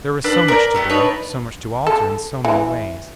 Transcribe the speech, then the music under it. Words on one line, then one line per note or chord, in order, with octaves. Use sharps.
There was so much to do; so much to alter in so many ways.
D4 B4 E6
A#4 D5
A3 B3 G4
D4 D#4 B4 C#5
A4
E3